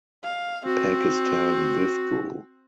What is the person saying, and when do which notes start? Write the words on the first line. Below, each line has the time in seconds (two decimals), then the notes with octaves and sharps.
Pakistan withdrew.
0.24 F5
0.66 C4 F#4